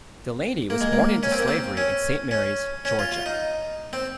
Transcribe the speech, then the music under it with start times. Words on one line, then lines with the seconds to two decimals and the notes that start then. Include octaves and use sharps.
Delany was born into slavery in Saint Mary's, Georgia.
0.70 A#3
0.81 G#3
0.93 A#3
1.23 C#4
1.32 C4
1.39 A#3
1.48 C4
1.77 C#4
2.31 C#4
2.85 C#4
2.99 F4
3.12 F4
3.26 D#4
3.93 C4